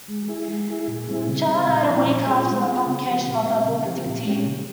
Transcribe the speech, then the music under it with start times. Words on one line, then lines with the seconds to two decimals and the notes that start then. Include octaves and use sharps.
Cha died a week after the publication of her book Dictee.
0.08 G#3
0.28 E4 G#4
0.48 G#3
0.68 E4 G#4
0.88 A#2
1.07 G3 C4 E4 G#4
1.27 C#3
1.47 G3 C4
1.67 A#2
1.87 F3 C4 E4
2.06 A#2
2.26 G3 C#4 F4 G#4
2.46 G#3
2.66 C4 F4 G#4
2.86 C#3
3.06 F3 C4 G4
3.26 A#2
3.46 G3 C4
3.66 C#3
3.85 F3 C4 G4
4.05 A#2
4.25 G#3 C#4 G4
4.45 C#3